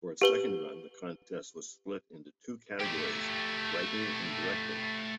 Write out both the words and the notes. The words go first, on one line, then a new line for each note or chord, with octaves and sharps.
For its second run, the contest was split into two categories: writing and directing.
G4 B4 G7
A3 G4